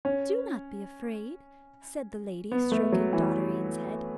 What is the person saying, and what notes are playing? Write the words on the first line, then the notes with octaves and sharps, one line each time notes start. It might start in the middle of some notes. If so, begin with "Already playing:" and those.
'Do not be afraid,' said the lady, stroking Dotterine's head.
C#4
B3
A3
F#3
E3